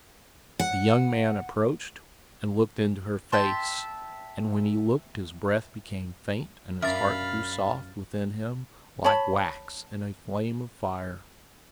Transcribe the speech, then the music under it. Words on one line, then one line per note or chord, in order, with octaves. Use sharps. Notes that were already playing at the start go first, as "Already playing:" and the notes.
The young man approached and looked into her face, and when he looked his breath became faint and his heart grew soft within him like wax in a flame of fire.
F#5
E5 G5 A5 C6
F#2 D4 A#4 E5 F5 B5 F6 A6
C#5 A5 B5